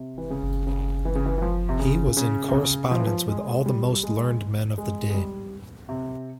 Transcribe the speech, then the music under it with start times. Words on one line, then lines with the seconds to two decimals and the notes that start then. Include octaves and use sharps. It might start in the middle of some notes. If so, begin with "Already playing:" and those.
He was in correspondence with all the most learned men of the day.
Already playing: C3
0.18 E3
0.30 C#3
0.67 C#3
1.05 E3
1.15 C#3
1.26 E3
1.38 E3
1.42 F3
1.69 C3
1.79 C#3
2.17 C#3
2.48 C3
2.54 C#3
2.91 F3
3.00 E3
3.07 F3
3.28 G#3
3.66 G3
3.90 G3
4.03 G#3
4.78 G#3
5.10 G#3
5.14 G3
5.89 C3